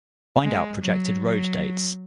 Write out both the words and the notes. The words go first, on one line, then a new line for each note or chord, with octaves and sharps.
Find out projected road dates.
G#3
F#3
F#3